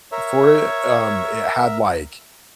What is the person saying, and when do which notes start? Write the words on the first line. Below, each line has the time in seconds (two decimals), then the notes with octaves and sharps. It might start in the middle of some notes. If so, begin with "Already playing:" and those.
for it, um, it had, like
0.12 A#4 C#5 E5